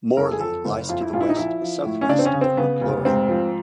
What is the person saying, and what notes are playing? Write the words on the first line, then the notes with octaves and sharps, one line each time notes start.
Morley lies to the west-southwest of Maclaurin.
F#1 A#4
A4
G#4
F2 A4
F#1
F2 F4
E4
A#1 F4
E4
D#4
F3 E4
F3
A2
C#4
C#3 D4
C4
C#4
C#3
C4
C#3 B3
F1
G#2 C4
F3